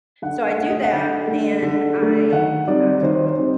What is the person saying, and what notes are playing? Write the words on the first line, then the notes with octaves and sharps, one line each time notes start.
So, I do that, and I, um,
D3 F#5
A3 D4 F#5
D#5
F#5
D3
A3 D4
D3
D4
A3
D#3 F#5
G3 C4 D#4 D5
D#3 C5
C5
G3 C4 D#4